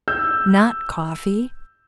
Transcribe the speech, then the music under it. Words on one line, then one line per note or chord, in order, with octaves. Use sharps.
Not coffee.
E6 G6